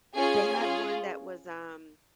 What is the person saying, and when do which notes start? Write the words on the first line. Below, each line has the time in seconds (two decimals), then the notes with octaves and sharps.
They had one that was, um
0.17 C#4 F4 G#4 G#5
0.58 C#4 F4 G#4